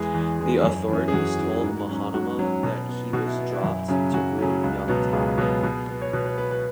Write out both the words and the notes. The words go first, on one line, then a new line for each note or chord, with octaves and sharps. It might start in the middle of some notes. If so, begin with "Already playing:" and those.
The authorities told Mahanama that he was dropped to groom young talent.
Already playing: E2 E3 G#3 G#4
E2
E3 G#3
F#2
E3 C#4
G#4
F#2 F#4
E3 C#4
G#2
F#3 C#4
G#2 F#4
F#3 C#4
B2
B3
B2 F#4
E4
B3
E4
F#2
C#3 F#3 C#4
F#2 F#4
C#3 F#3 C#4
C#2
B2 F#3 B3
C#2 G#4
B2 F#3 B3
B2
B3
C#5
B2 B4
B4
B3 B4
B4